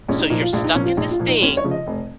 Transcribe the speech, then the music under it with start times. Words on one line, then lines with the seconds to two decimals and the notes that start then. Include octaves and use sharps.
So you're stuck in this thing
0.08 A#1 C#4
0.19 D#4
0.30 A#2 F3 D#4
0.41 F4
0.53 A#1 F4
0.64 D#4
0.75 A#2 F3 C#4
0.86 F4
0.97 A#1 D#4
1.11 F4
1.19 A#2 F3
1.27 D#4
1.42 D#2 C#4
1.57 C#5
1.64 C#3 F3
1.71 D#5
1.87 F1